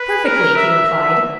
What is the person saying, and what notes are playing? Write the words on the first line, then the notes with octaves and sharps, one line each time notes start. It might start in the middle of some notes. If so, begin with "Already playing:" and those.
"Perfectly," he replied.
Already playing: B4
A#4
E5
E5